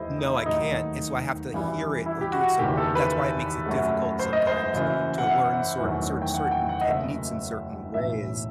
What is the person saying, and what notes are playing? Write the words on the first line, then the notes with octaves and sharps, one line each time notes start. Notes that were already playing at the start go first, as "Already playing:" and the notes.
no, I can't. And so, I have to hear it or do it. So, that's why it makes it difficult sometimes to learn sor cer certain techniques in certain ways.
Already playing: E2 D#3 A3 E4 G4 C5 D#5
D#4
E4
D#2 D#3 F#3 A3 D#4
F#2 E3 G3
E4
G4
F#4
F#1 E2 D#3 G4
A4
B4
F#2 F#3 A3
C5
D#5
C5
F#1 F#2 E3
F#5
E5
E2 D#3 F#3 A3
G5
F#5
G5
F#5
D#5
F#1 F#2 F#3 A3 E5
B1 A2 E3 E5